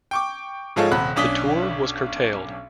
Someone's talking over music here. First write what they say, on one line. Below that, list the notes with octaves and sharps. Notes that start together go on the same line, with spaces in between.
The tour was curtailed.
G5 C#6 D6
G#2 F3 G#3 F4 A4 C#5
D#1 C3 F#5 B5 F#6
B1 C#4 D4 D#6 B6 G7